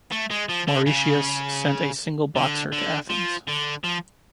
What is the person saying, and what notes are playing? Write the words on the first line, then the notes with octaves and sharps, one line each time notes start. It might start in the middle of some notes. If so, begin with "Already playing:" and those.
Mauritius sent a single boxer to Athens.
A3
G#3
F3
D3
C#3
D3
D3
F3
D3
F3